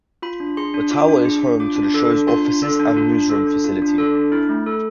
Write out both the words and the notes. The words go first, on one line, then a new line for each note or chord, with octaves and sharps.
The tower is home to the show's offices and newsroom facility.
F4 B5
D4
G#4 C6
D4
F4 D6
D4
G#4
D4
F4 D6
D4
A4
D4
F4 C6
D4
A4
D4
F4
D4
A4
D4
F4
D4
A4
D4
E4
A3
A4